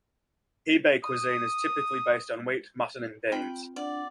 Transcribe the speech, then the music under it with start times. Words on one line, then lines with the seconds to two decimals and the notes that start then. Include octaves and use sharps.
Hebei cuisine is typically based on wheat, mutton and beans.
1.04 D#6
3.32 C4 F4 G5 B5
3.76 D4 D5 F#5